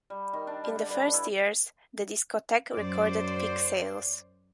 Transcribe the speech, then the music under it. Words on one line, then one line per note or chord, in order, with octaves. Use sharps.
In the first years the discotheque recorded peak sales.
G3
D#3
D4
G3
D3
B4
E4
F#2 C5 D5